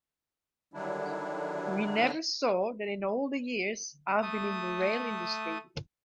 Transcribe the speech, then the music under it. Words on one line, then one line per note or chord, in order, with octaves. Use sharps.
We never saw that in all the years I've been in the rail industry.
D3 D#3 F#3 G3 D4 E4
A3 D#6